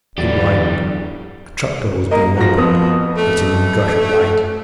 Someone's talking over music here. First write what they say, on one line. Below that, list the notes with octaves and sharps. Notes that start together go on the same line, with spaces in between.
It widened; a trap-door was being opened, letting in a gush of light.
E2 D3 F#3 G4 D5
A#3 D#5 A#5
F3 F#4 A#6
F2 B3 D#6
A3